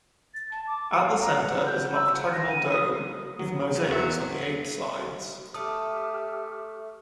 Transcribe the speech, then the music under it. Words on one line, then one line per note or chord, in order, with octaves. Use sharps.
At the centre is an octagonal dome, with mosaics on the eight sides.
A6
A5
D6
F5
A#5
F#5
G6
E6
F#5
A#6
D#7
D#6
F#3
C#3
E2 F#3 E5
A3 G4 E5 D#6 F6